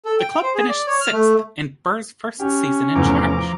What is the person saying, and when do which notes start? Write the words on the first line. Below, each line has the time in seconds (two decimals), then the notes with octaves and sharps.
The club finished sixth in Burr's first season in charge.
0.05 A4
0.19 G5
0.31 G5
0.43 C5
0.55 G#4
0.69 D5
0.87 C#5
1.01 F6
1.13 A3
2.40 C#4 G4
2.95 E2 A2 C3 F3 A#5 D6